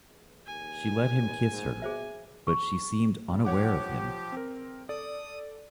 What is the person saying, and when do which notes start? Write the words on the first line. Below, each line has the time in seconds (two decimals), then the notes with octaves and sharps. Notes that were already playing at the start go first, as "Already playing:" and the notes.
She let him kiss her, but she seemed unaware of him.
0.47 D#2 G#5
1.21 D#2
1.51 G#2
1.82 B2 G#4 C5 E5
2.47 C#6
3.30 G3
3.45 F3 G4 C#5 F#5 D6
4.32 C4 A#4
4.89 A4 D5 D#6